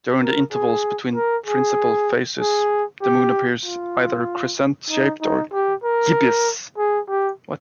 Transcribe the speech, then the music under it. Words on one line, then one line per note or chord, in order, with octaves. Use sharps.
During the intervals between principal phases, the Moon appears either crescent-shaped or gibbous.
A#4
G#4
A#4
G#4
G#4
G4
F4
D#4
D#4
G4
A#4
G#4
G4